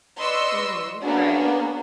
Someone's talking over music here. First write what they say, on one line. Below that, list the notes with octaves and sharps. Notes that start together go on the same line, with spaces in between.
Mhm, right.
B4 D5 D#5 C6 C#6 E6
A#3 B3 C#4 D4 F#4 G#4